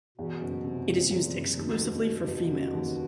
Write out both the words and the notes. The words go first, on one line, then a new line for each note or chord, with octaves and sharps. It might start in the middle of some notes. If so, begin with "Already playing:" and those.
It is used exclusively for females.
E2 B2
F#1
C3
F#1 A#2
A2
E2 A#2
F#1 A2
A#2
D#2 B2
F1
F1
F1
C#3
D#2